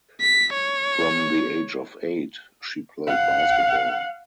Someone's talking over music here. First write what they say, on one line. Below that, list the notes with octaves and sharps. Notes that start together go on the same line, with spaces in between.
From the age of eight she played basketball.
B6
C#5
F5 F#5